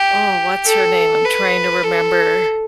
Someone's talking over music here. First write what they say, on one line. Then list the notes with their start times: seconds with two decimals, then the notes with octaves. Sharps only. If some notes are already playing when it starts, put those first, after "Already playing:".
Oh, what's her name? I'm trying to remember
Already playing: G4
0.66 A4
1.25 B4
1.84 A4